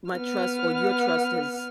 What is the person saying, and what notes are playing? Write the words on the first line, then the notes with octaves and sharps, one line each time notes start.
my trust or your trust is
B3 F6